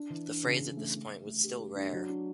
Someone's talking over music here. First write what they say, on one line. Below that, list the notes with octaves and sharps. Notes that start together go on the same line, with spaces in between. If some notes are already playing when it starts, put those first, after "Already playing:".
The phrase at this point was still rare.
Already playing: D4
E3
D4
C#3
C#3
A3
A3
A3
A3
G4
G4
D4
F#3
D4